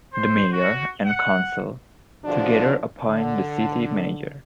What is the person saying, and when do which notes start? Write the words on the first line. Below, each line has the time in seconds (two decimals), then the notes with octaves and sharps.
The mayor and council, together, appoint the city manager.
0.13 C5
0.53 F#4
1.04 F#5
2.24 E2 B2 D3 F3 D4 D5
3.06 D3